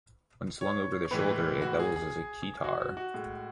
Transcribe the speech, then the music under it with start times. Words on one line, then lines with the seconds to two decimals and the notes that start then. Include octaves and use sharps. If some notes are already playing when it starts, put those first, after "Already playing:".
When slung over the shoulder it doubles as a "keytar".
0.61 C#5
1.11 A2 E3 G#3 B4
1.62 F#4
1.80 G#4
1.96 G#4
2.64 F#4
2.80 F#4
2.97 F#4
3.14 A2 G#3